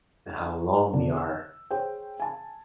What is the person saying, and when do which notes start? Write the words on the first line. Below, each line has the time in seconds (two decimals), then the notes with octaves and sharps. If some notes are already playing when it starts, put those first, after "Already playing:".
how alone we are.
0.93 B2 D3 D4
1.17 E6
1.71 G#4 C5 C#5 G5
2.20 G#5 A5